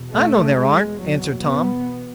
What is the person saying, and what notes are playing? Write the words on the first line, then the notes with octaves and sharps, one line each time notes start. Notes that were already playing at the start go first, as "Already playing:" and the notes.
"I know there aren't," answered Tom.
Already playing: E2 B2
A3
G#3
F#3
B3